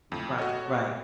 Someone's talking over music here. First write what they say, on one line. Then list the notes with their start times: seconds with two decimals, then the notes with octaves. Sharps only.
Right. Right.
0.12 F2 A2
0.38 F#4 A4 C#5 D#5